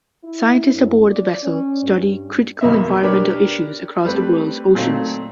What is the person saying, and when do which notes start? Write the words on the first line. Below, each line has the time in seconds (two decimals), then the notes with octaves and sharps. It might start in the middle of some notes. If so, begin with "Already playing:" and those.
Scientists aboard the vessel study critical environmental issues across the world's oceans.
0.24 E4
0.74 F#2
1.10 D5
1.43 C#4
1.82 G2
2.61 B1 F2 A#3 B3 D#5 E5
3.03 D4 G4 A#4 B4 C#5 D5
4.05 G3 A3 C4 B4
4.75 A#2 F#3 A3 C4 D#4